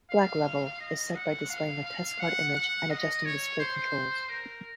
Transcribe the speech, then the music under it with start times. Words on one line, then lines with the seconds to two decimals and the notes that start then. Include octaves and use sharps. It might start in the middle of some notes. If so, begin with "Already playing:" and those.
Black level is set by displaying a testcard image and adjusting display controls.
0.10 F5
0.80 D#5
1.15 F#5
1.50 F5
1.85 F5
2.19 F#5
2.55 F#5
2.90 D#5
3.25 C#5
3.59 C5
4.29 A#4